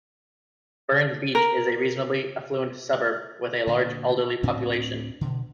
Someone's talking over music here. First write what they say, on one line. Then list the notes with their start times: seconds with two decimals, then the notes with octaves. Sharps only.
Burns Beach is a reasonably affluent suburb with a large elderly population.
1.35 A#4
3.67 A#2 D3
4.43 D2 A2 C4 D4
5.21 B2 D3